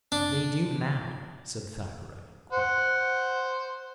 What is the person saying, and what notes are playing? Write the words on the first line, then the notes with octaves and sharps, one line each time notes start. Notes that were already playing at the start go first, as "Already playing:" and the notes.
"They do now," said Thackeray, quietly.
D4
C5 F#5